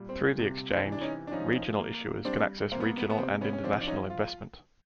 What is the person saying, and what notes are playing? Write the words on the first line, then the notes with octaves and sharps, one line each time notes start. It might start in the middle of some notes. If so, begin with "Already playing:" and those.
Through the exchange, regional issuers can access regional and international investment.
Already playing: A#2 G3
C4
C3
C4 D4
E3
D4
C#4 D#4
D4
F3 C#4 D#4
A#3
G3 C4 D4
A#3 C4
B3
B3
B3
C3 C4
B3 C#4
C#4
F3 C4 D4
D4
C#4 D#4
F4